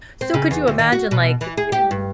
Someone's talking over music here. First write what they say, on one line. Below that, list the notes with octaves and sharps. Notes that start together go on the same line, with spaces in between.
So could you imagine, like, uh,
C4
C#3
E2
D2
D#3
F#4
B2
E3
G#4
G4
G2